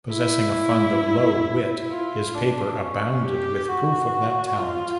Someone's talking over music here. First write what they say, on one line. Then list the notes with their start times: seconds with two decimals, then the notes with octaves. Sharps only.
Possessing a fund of low wit, his paper abounded with proof of that talent.
0.13 E4
1.91 F4
2.34 D4
2.79 C#4
3.23 G4
3.68 F#4
4.57 F4